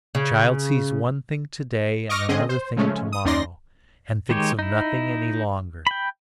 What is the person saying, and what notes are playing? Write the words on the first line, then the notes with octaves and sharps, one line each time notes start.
A child sees one thing to-day and another thing to-morrow, and thinks of nothing any longer.
C#3
D#5 C#6 D6 F6 A#6
D3 C4 C#4 G#4 D#5
C5
C#3 F3 G#3 A3 C#4
D#6
D#2 C#4 D#4 D5 C6 A#6
D#3 G#3 G4 C#5
D#4 E4
G5 B5